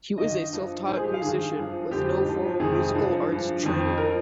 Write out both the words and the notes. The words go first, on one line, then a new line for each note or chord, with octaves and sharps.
He was a self-taught musician, with no formal musical arts training.
G2 D#3 D#5
G2 F3
G#2 F3 C5
G#4
G4
F5
G2 D#3 G#4
G2 F3
F2 D3 F3 G4
G#2 F3
F2 C3 D#3 G#4
G2 F3
G2 F3
F2 D#3
A#4
F3